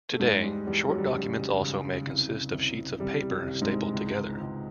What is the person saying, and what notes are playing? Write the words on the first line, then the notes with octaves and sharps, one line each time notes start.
Today, short documents also may consist of sheets of paper stapled together.
A3
E2 G#2 G#3
G3
E2 G3
F#3
G3
F#3
C#3
C#3
C2
C2
C2 G3
G3
C2
G#2 G#3
C#2
C#2